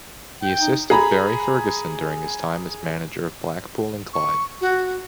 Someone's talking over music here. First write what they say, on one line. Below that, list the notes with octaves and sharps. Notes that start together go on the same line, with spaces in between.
He assisted Barry Ferguson during his time as manager of Blackpool and Clyde.
G5
D#4
G#4 A#5 B5
C#6
F#4